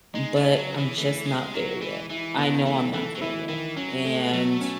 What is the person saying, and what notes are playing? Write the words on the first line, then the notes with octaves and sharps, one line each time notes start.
but I'm just not there yet. I know I'm not there yet, and,
G#3 D#4
A3
C#5
F#3
G#4
E3
E3 A3
G#3 G#4
F#3 E4
E3 G#3
E3 E4
D#3 B3
E3 A3
E3 A4
F#3
E3 E4
D#3 E3
F#3 C#4
G#3 A3
F#3 A3
C#4